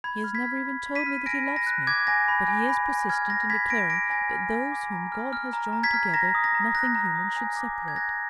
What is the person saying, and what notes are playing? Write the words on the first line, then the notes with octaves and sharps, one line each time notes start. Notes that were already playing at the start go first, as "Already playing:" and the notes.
He has never even told me that he loves me; but he is persistent in declaring that those whom God has joined together nothing human should separate.
B5 G#6
F6
G#6 B6
F6
B5
B5
B6 D#7
F6
G#5 A#6 D7
B5
A#6
F#6
D6 G#6
G#5 A#6
B5
G#5
B5
G#5
F6 G#6
G#5 A#6
B5 G#6 B6
G#5 A#6 D7
D6 A#6 D7
G#5 A#6
F6
G#5
D6
A#5
F6
F6
A#5
A#5
G#6 B6
F6
A#5 A#6
D#6
A#6
A#5
F#6 A#6
A#5
D#6
G#5
D6
G#5
G#6
F#6 A#6